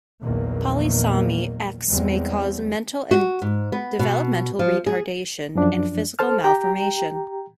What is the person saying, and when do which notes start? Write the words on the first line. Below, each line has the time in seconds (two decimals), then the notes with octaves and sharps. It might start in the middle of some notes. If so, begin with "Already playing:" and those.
Polysomy X may cause mental and developmental retardation and physical malformation.
0.23 A#1 E2 A#2 D#3 F#3 A#3
1.89 E2 G3 G#3 C4
3.11 F#4
3.42 G#2
3.72 B3
3.99 B2
4.59 F3
4.86 G#4
5.55 F#2 F3 D4
6.19 A4 C5 A5 F6
6.44 G4 G5 A#5